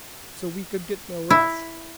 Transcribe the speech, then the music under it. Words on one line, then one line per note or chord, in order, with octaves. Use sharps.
So we could get no rest!
E4